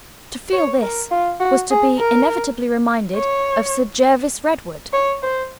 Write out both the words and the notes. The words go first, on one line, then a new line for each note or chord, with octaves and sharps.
To feel this was to be inevitably reminded of Sir Jervis Redwood.
C#5
A#4
F4
F#4
G#4
A#4
C#5
C#5
C5